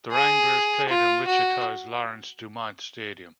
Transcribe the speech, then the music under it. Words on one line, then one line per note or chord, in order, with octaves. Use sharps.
The Wranglers played in Wichita's Lawrence-Dumont Stadium.
G#4
F4
F#4